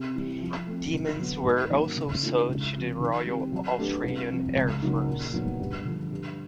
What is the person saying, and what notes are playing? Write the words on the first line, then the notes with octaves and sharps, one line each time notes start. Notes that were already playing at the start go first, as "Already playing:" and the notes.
Demons were also sold to the Royal Australian Air Force.
Already playing: C3
E3 G3
F3
A3 C4
D3
F#3 B3
G#2
D#3 F#3 A#3 C#4
C#3
E3 A3 D4 F4
C#2
C3 F3
D#3
G3 C4
F#3
A3 D4 G4 B4
C2
C3 F3
C#2
C#3 F#3 A#3 D#4
A#2
F#3 B3 D#4
G2
D3 F3
G2